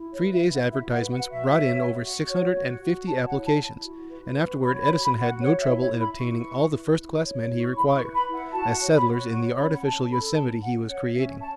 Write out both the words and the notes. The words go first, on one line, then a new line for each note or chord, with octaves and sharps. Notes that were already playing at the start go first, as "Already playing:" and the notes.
Three days' advertisements brought in over six hundred and fifty applications, and afterward Edison had no trouble in obtaining all the first-class men he required, as settlers in the artificial Yosemite he was creating.
Already playing: E4
C#5
B4
E5
E4
F#5
F#4 E5
F#5
B4
F#5
F#4
E5
C#5
F#4
F#4
C#5
F#4
F#4
C#5 A5
F#5
E4
A5
E4
F#4
B4
F#4
C#5 B5
B5
F#4
B5
F#4
F#5
C#5 F#5
E5
E4
C#5
E4
B5
E4 C#6
B4
E4
E4
C#5
E4
C#6
E4 B5
C#6
B4
B5
E4
F#5
F#4 A5
C#5
B5
F#4
C#5 C#6
C#4 B5
F#5
C#4 A5
A4 B5
C#4 A5
C#4 F#5
C#5 F#5
C#4 E5
C#4 A5